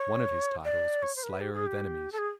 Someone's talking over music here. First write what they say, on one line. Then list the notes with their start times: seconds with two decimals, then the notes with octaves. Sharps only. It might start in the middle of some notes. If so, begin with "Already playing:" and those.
One of his titles was "Slayer of Enemies".
Already playing: C#5
0.65 D5
1.03 C#5
1.16 C5
1.23 A#4
1.29 B4
1.41 G4
1.53 G#4
1.66 G4
2.12 A4
2.18 G#4